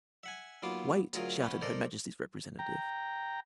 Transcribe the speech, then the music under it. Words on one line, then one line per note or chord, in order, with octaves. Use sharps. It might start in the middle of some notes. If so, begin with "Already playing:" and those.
"Wait!" shouted Her Majesty's representative.
E5 F#5 G#5
D#2 F#3 B3 F4 C6 D6
D2 F#3 F4 G#4 A#4
E3 B3 C#4
A4 A#4 C5 D5 D#5
G5 A#5